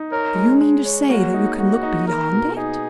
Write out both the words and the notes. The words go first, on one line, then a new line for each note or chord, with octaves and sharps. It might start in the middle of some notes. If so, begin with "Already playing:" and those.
"Do you mean to say that you can look beyond it?"
Already playing: D#4
A#4 C#5
G#3
G#3
C#5
A#3 F#4
D#4
A#3 F#4
D#4
D#4 A#4
B2
D#4 G#4